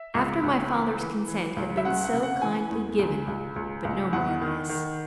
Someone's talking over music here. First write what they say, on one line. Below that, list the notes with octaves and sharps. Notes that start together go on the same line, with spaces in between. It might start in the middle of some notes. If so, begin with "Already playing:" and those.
After my father's consent had been so kindly given--but no more of this.
Already playing: E5
C#2
C#2
E3
E3
E3
C#2
E5
C#3 F#5
F#5
C#3
F#5
E3 G#5
E2
C#2
C#2
C#2
C#2
E2 F#5
D#3
D#3